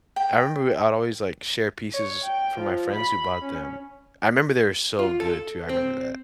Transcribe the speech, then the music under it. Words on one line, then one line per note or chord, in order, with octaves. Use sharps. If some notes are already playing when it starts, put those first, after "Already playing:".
I remember I'd always, like, share pieces from my friends who bought them, I remember they were so good too. I remember that.
G5
C#5
G5
F3
B5
C#4
F4
A4
C4